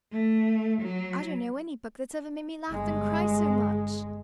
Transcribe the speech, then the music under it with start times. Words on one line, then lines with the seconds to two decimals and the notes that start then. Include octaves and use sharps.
"I don't know any book that's ever made me laugh and cry so much."
0.12 A3
0.81 F#3
2.68 G1 G#3